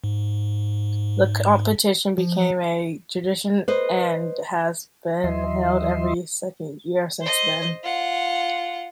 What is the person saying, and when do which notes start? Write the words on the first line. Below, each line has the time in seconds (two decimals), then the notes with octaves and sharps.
The competition became a tradition and has been held every second year since then.
0.04 G#2
2.18 F3
3.68 B4 C5 D#5
5.24 D#2 E3 F#3 D#5 E5 C6
7.21 C5 D#5
7.83 F4 F#5